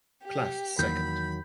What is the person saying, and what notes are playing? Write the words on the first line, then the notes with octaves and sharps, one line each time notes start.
Class Second.
G4
E2 D#3 F#3 A#3 B5 G6